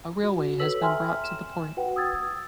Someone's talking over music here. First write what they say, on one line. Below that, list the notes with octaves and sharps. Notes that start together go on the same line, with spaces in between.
A railway has been brought to the port.
F#4
A4 B4 C#5 E6 B6 F#7
E5 G5 G#5 A#5 C6 F6
E7
F#4 B4 F#5 G5
D#6 E6 G#6 A6